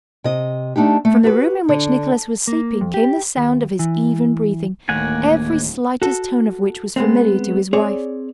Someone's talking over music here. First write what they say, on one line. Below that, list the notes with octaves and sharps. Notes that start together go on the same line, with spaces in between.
From the room in which Nicholas was sleeping came the sound of his even breathing, every slightest tone of which was familiar to his wife.
C3 D#5
A3 D4 D#4 G4
A3
F#4 G4 B4
D3
A#3
F2
G4
D#2
E3
D1 G1 D#2 A3 A#3 F#5 G#5
F#4 A4
G#3 B3 C4
C4 G#4 C#5 D5